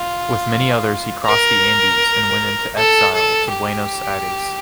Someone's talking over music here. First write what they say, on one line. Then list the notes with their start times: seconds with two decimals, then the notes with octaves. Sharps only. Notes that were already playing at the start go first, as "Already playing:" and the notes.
With many others he crossed the Andes and went into exile to Buenos Aires.
Already playing: F4
1.26 A#4
2.78 A4
3.15 A4
3.53 G4